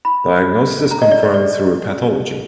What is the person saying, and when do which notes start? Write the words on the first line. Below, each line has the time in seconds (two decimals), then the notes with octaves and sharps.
Diagnosis is confirmed through pathology.
0.05 B5
0.91 A#5
1.02 D#5
1.11 D5
1.23 D5
1.34 D5